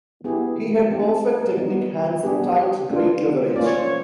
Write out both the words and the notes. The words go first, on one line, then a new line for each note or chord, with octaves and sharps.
He had perfect technique - hands in tight, great leverage.
B3 E4 G4 G#4
A3 C4 D#4 G4
G#4
A4
A#4
G3 B3 D#4
B3 D4 G4 G#4
G4
A3 D4 F4
A#3 C#4 F4 D5
C#5
C5
C#5